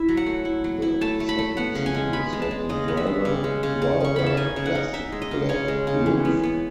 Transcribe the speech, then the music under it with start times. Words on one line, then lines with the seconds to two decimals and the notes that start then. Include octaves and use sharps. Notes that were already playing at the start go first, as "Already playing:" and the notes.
The second series had no driver, rather a plastic black roof.
Already playing: E4 E5
0.09 F#3
0.17 F#5
0.26 A3
0.45 E4
0.64 F#3
0.82 E4
1.01 A3 A5
1.20 A3
1.29 B5
1.39 A3
1.57 B3 F#5
1.75 C#3
1.86 G#5
1.95 G#3
2.13 B3 B5
2.33 G#3
2.42 A5
2.51 G#3
2.69 C#3 D#5
2.88 B3
2.97 E5
3.07 G#3
3.25 C#3
3.44 G#3
3.63 C#3
3.82 C#3
4.01 C#3 C#6
4.16 C#3 B5
4.26 A5
4.37 D#4 G#5
4.56 C#3
4.66 F#5
4.75 D#4
4.94 D#4 E5
5.12 G#3
5.22 D#5
5.31 C#3
5.49 C#3 C#5
5.68 G#3
5.87 C#3
6.06 E3
6.25 B3
6.43 B3